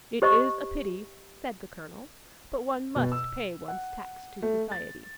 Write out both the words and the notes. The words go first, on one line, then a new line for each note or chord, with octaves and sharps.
"It is a pity," said the colonel; "but one must pay one's tax to society."
G4 C5 D#5 C#6
B2
E6
F#5
A3
A6